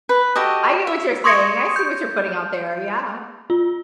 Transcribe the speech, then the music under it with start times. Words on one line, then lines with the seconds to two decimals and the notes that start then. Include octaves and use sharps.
I get what you're saying, I see what you're putting out there, yeah.
0.09 B4
0.35 F#4 G4 A4 D#5
0.87 E5
1.24 C6 C#6 D#6 G#6 A#6 C#7
1.76 G6
3.50 F4